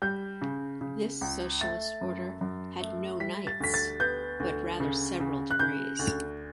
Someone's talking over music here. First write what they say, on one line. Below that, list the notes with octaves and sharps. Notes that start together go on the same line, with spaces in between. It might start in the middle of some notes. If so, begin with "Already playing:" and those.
This socialist order had no knights but rather several degrees.
G3 G6
C#3
C#3
C#2
A3 A6
F#2
F#2
A3
G3 B6
A6
D2 B6
A6
B3 G6
D2
C#3
C#3
F#6
C#3 G6
D2